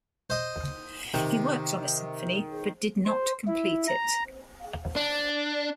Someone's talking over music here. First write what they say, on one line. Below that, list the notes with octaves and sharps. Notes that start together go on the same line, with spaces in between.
He worked on a symphony but did not complete it.
C5 D#5
C3 D#3
C5
E4
A#5
D4